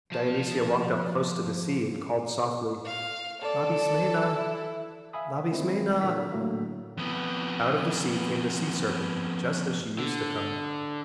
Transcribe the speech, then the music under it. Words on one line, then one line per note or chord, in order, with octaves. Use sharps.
Dionysia walked up close to the sea and called softly, "Labismena, Labismena." Out of the sea came the sea serpent just as she used to come.
F3 A5
F5
A4 D5
E4
E5 F5 G#5 B5 D#6
D#3 G#3 C4 E4 F4
A#2 D3 A#4 B6
A2 D3 F#3 A3 A#3
F2 B3
D3